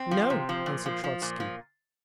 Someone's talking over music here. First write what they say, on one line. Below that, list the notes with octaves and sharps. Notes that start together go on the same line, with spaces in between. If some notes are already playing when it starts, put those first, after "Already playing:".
"No," answered Trotzky.
Already playing: C4
F3
C3
F3
A#2
F3
F3
A#2
F3